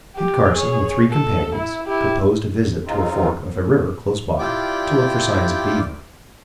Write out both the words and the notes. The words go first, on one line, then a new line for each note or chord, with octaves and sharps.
Kit Carson, with three companions, proposed a visit to a fork of a river close by, to look for signs of beaver.
G4
G#4 C#5
A4
E4
E4 G4
C#3 C4 D#4 F4
E4 F4 G4 D5 G5 D6